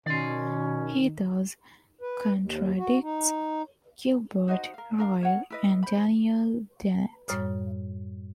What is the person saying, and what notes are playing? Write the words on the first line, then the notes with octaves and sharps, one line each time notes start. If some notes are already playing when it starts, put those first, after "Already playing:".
He thus contradicts Gilbert Ryle and Daniel Dennett.
B2 D#3 C#4 D5 C6
B4
D#2
F#4
D#4
D#4 F#4 C5 D#5
A#4 F5
D4 A#4 F5
A#4 C#5 F#5
E4 B4 D#5
C5 B5
F#2 A2 G3 C#5 D#6 F6